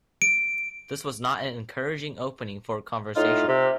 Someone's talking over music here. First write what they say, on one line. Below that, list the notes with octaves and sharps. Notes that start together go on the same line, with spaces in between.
This was not an encouraging opening for a conversation.
D7
A2 D#4 F4
C3